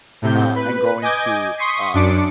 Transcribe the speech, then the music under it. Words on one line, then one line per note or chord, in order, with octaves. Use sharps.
uh, and going to, uh,
A2 C3 G6
B4
D#5 G#5 D6 G6 G#6
C6 C#6 D#6 B6 C7
F#2 D4 D6 C#7 D7